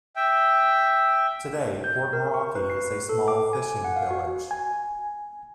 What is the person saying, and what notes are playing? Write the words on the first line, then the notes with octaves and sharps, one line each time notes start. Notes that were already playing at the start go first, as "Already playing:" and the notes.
Today, Port Moeraki is a small fishing village.
E5 G5
G6
A#4
C#6
B4
C7
A4
D6
G#5
F#5
F5
F#4
G#5